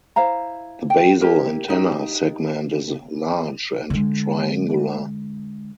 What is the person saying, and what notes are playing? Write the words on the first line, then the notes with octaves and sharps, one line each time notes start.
The basal antenna segment is large and triangular.
E4 C5 F5 A#5
G5
E4 G4 A#4
D#4 G4
D3 G#3